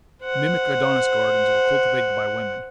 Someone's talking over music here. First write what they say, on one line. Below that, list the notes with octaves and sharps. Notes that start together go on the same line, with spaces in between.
Mimic Adonis gardens were cultivated by women.
C5 F#5